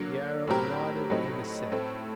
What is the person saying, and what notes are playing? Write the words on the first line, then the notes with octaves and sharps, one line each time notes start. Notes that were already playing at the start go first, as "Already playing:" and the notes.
The Arab nodded an assent.
Already playing: D3 F#3 A#3
A2 F#3 C4 G4 A#4
A2 F#3 A3 C4 D#4
A2 A3 C4